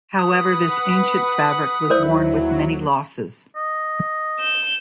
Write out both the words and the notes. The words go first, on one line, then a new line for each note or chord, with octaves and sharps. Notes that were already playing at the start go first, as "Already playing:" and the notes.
However this ancient fabric was worn with many losses.
B4 F#5 B5 D#6
D#2 F#3 E4 A#4 C5 D5
D#5
G6 E7